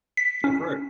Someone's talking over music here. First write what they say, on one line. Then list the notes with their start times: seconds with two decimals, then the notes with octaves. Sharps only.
That's right.
0.17 B6
0.44 C#4